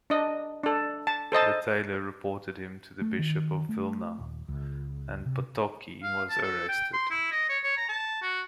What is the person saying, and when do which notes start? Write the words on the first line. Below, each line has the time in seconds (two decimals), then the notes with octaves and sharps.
The tailor reported him to the Bishop of Vilna, and Potocki was arrested.
0.10 D4 D#5
0.64 D4 A4
1.07 A5
1.32 A4 C5 D#5 A5
3.02 A3
3.19 D#3
3.69 A3
4.19 D#1
4.48 C#2
5.26 C3
6.03 F5
6.29 A5
6.43 A4
6.68 G5
6.94 C6
7.11 E4
7.32 D#5
7.49 C#5
7.64 C#5
7.77 A#5
7.89 A5
8.22 F#4